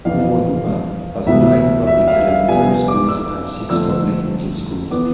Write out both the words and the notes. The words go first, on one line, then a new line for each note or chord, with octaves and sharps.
Uonuma has nine public elementary schools and six public middle schools.
F2 E3 B3 F5
D2 C3 E3 B3 E5
E5
F5
F5
C2 C3 F3 B3 G#5
D6
E6
F2 D3 F3 A3 C4 E6
E3 B3 D6